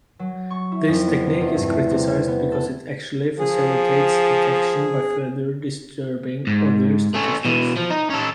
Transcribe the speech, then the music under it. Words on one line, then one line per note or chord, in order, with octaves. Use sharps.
This technique is criticized because it actually facilitates detection by further disturbing other statistics.
F#3
C#6
E4
F2
B3
C3
E2
G2
A3
C3
B3
A4
F3 G#4
G#2
A3 C#4
B2 E3
F3
D#4
C#4 A4